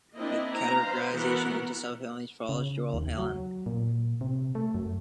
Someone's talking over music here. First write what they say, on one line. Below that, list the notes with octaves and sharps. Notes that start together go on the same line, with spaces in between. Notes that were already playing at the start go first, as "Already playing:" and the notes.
The categorization into subfamilies follows Joel Hallan.
A#3 C4 D4 E4 D#5
C4 A#5
B4 C5 F5
E3 B3 F#4 A#4 F#5
C#3
D#2
F#3
A#2
C3
A3
F#2